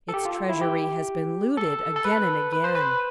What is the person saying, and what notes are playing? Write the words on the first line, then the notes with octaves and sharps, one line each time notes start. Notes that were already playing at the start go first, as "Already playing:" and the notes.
Its treasury has been looted again and again.
A4
G4
F4
E4
G4
A4
A4
B4
B4
C5
B4